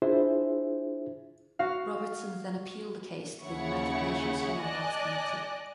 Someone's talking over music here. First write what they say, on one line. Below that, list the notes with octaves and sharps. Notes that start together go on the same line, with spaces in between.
Robertson then appealed the case to the United Nations Human Rights Committee.
D4 E4 F4 G#4 C5 E5
F#4 F5
D#2 C#3 E4 C#5 F#5 C#6
D5 D#5 G#5 A5 F#6 A#6